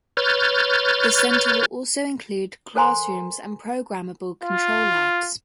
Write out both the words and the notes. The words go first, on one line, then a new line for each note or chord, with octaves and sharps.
The centre will also include classrooms and programmable control labs.
B4 C#5 F6 G6 A6
A4 A#4 C5 G#5 A#5 C6
F4